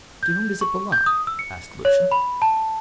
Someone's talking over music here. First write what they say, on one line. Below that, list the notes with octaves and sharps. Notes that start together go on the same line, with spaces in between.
"To whom does it belong?" asked Lucian.
G6
C#6
G6
D#6
E6
C#7
C#5
B5
A5